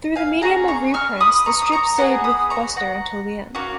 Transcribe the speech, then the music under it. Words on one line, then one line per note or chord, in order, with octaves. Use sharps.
Through the medium of reprints, the strip stayed with Buster until the end.
F5 G#5
C#4 G#4 F#5 A#5
A#5 C#6
C#6 F6
B5 D#6
A#5 C#6
D#6
A#5 C#6
B3 D#4 G#4 F#5 A#5
B5 D#6
A#5 C#6
F#5 A#5
A#3 C#4 F#4